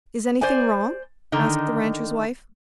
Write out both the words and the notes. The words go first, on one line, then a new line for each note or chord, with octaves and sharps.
"Is anything wrong?" asked the rancher's wife.
C5 D5 G#5
D3 D#3 D#4